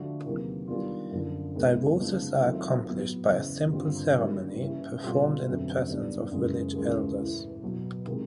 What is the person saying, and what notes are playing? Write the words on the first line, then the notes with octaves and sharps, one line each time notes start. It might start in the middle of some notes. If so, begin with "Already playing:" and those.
Divorces are accomplished by a simple ceremony performed in the presence of village elders.
Already playing: D3 F3 A3 D4 F#4
E2 C3 D#3 F#3 A#3
D#3 G3 B3 D4 F4
F#2 D3 F3
E2 C3 D#3 G#3 B3
C#3 F3 G#3 B3 D#4
D#3 F#3 A3 C4 F4
A2 F#3 B3
E2 C#3 E3
G2 D3 G3 C4 F4
D#3 G3 A#3 C#4 F#4
E3 G3 A#3 C#4 E4
B2 G3 C4 F4 A4
F2 D3 F#3 A3 C#4
D#3 G3 B3 D4
F#2 C#3 E3 G#3 C#4
D#2 C#3 E3 G#3 C#4
A2 E3 A3
B2 F#3 B3
C3 D#3 G#3